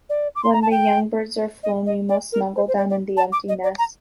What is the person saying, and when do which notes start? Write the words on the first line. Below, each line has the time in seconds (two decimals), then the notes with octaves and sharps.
When the young birds are flown we must snuggle down in the empty nest.
0.09 D5
0.35 D6
0.44 C6
0.53 A#5
0.62 A5
0.71 G5
1.63 D#5
1.86 D#5
2.09 D5
2.32 A#4
2.56 C5
2.68 C5
2.78 D5
2.90 D5
3.17 A5
3.32 D6
3.48 D#5
3.63 D5
3.78 A#5